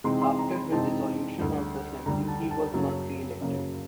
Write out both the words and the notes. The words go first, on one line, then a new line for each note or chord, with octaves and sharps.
After the dissolution of the assembly he was not re-elected.
C3 E3 G#3 C4 D#4 C6
C6
A#5
B5
C3 E3 G#3 C4 D#4 A5
D2 D3 G3
D2 D3 G3 A#5
A5
A5
F#2 C#3 F#3 A#3
F#2 C#3 F#3 A#3